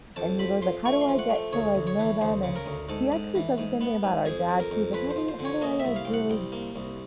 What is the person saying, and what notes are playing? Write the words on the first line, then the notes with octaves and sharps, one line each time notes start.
and he goes, "Like, how do I get to, like, know them?" and he actually says the same thing about our dad too, he's like, "How do you how do I, like, really
F2 A5
F3 B5
F3 C6
A3 C#6
C6
F3
F#5
A3
G5
D2 C#5
D2
C#5
E3
D2 C5
C#3
A#4
D2
G#2 A4
G#2
E3
G#2
B3
G#2
F2 G#4
F2
A#4
F2
F3 B4
C5
F3
C5
D3
C#5
A#3 D#5
E5
C2
F5
C2 G5
F#5
C2 G5
A#3
C2